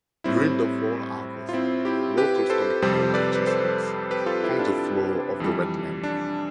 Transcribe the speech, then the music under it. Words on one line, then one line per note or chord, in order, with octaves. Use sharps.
During the fall harvest, locals collect water chestnuts from the floor of the wetland.
A2 G3 C4 E4
F4
C4 E4
E4 G4
G4 B4
A4 C5
F2 C3 G3 A4 C5
B4 D5
B4
A4 C5
G4 B4
F4 A4
E4 G4
D4 F4
F2 E3 G3
D4